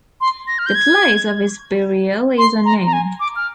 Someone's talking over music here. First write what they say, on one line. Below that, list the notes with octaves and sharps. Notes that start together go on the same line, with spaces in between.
The place of his burial is unknown.
C6
A#6
F6
G6
G#6
C6
A#5
A#5
G#5
D6
F6